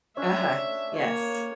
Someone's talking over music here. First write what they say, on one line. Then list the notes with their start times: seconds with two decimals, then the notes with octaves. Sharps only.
Uh-huh, yes.
0.17 C#4 D4 E5
0.95 A#3 C#5